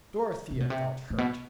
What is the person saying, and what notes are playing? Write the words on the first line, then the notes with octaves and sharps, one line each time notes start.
Dorothea felt hurt.
C3
B2
C3
A2
B2